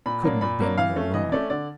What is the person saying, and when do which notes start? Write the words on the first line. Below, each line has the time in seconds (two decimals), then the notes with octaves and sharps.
He couldn't have been more wrong.
0.06 A#2 B5
0.23 F#3 A#3 D4
0.41 A#2 B5
0.60 F#3 A#3 D4
0.78 E3 F5
0.96 A3 C#4
1.14 E3 D#5
1.32 A3 C#4 D5
1.50 D3 D5